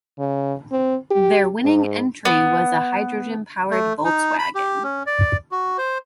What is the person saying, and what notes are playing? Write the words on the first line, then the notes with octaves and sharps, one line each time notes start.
Their winning entry was a hydrogen powered Volkswagen.
C#3
C4
G4
G#2
B3
A3
D#4
B5
G4
C#4
D5
F#4
C5